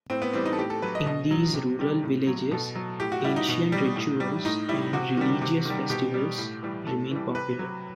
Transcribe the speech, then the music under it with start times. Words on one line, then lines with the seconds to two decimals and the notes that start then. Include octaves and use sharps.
In these rural villages, ancient rituals and religious festivals remain popular.
0.10 A2 C4
0.22 B3
0.33 E3 G3 C4
0.46 D#4
0.53 A4
0.58 A2 G4
0.70 A4
0.82 F#3 B4
0.95 D#5
1.06 B2 D#5
1.31 F#3
1.54 C3
1.79 D#3 G3
2.03 A2
2.27 F#3
2.51 B2 A4
2.75 F#3
3.00 A2 G4
3.12 F#4
3.24 G3 E4
3.36 D#4
3.48 B2
3.72 G3
3.96 A2
4.20 G3
4.45 A2 D#4
4.69 G3 E4
4.93 C3 F#4
5.17 D#3 G3
5.41 C3
5.66 D#3 G3
5.90 B2 G4
6.14 G3
6.38 A2
6.63 E3 G3
6.87 A2 A4
7.11 E3 G3
7.35 C3 B4
7.59 F#3